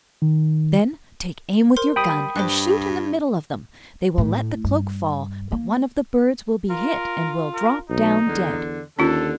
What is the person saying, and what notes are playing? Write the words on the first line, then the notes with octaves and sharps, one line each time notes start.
Then take aim with your gun and shoot in the middle of them; they will let the cloak fall, but one of the birds will be hit and will drop down dead.
D#3
A#4 C5 C6
G3 G5 B5 D#6
G2 C5 F#6
A2
G2
A#3
F4 A#4
A#4
B1 D#4
E2 D3
D#2 D3 C#4 F4 A4